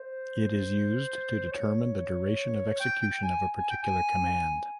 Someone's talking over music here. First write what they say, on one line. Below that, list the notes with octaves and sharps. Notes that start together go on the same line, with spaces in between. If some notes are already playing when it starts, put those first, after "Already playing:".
It is used to determine the duration of execution of a particular command.
Already playing: C5
C5
C#5
G5
G5
G#5
G#5
G5
G#5